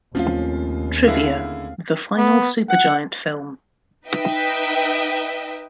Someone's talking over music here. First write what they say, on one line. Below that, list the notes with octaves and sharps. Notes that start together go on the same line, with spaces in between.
Trivia: The final Super Giant film.
D#2 F3 A3 C4 C#4 F4
D3 E4 G#4 F5
B3
F#5
D#4 B4 D#5 E5 G5